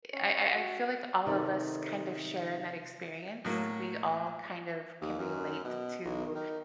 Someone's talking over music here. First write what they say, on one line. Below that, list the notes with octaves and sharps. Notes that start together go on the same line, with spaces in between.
i I I feel like all of us kind of share in that experience. We all kind of can relate to
C#4
F#4
C3 D#3 A4 D5
A2 F#3 A#3
D#2
F#2
B2
B1
D#3